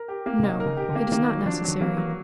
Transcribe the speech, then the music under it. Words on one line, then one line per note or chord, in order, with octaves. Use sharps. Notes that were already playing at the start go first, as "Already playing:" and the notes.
"No; it is not necessary."
Already playing: A#4
G4
A#3
C#3
C3 D#4
A#4
C#3
G4
D3
A#3
D#3 A#3
F#3
F3 D4
D#3 F#3
E3 A#3
F#3